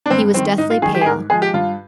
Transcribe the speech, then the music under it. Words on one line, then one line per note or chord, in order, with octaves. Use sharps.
He was deathly pale.
D4
G2 C4
D#3 G3 C4
G#2 D#4
F4
D#3 G3 G#4
G4
G#4
G#2 A#4
F3 G#3 G#4
G4
G2 F4